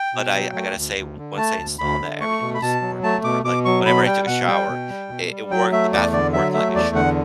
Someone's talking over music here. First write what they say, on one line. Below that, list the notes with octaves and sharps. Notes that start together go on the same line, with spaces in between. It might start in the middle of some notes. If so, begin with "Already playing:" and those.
but I I gotta say, once I installed that, everything was working per like, whenever I took a shower, it it worked. The bathroom worked like it should.
Already playing: G5
B2
F#3
A3
D2
D2
D3
A3 A5
D2
D2 B5
D3
A3 C#6
B2
B5
B2 A5
F#3
A3 A5
B2 D6
B2 D6
F#3 C#6
B2 B5
G3 G5
B2 F#5
G3 G5
B2
G3
B2
G3
F#3 G5
A3 E5
E2 D5
D3 D5
F#3 E5
A3 E5
E2 D5
D3 F#5